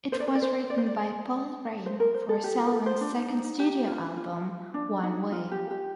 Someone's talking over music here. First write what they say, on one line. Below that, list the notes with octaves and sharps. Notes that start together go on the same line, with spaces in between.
It was written by Paul Rein for Selwyn's second studio album, "One Way".
C5
D5
C5
D5
C5
D5
C5
D5
C5
A#4
C5
A4
G4
F4
A#4
A4
C5
D4
D#4
D#4
D#4
G4
F4
F4
D4
D#4
F4
G4
G4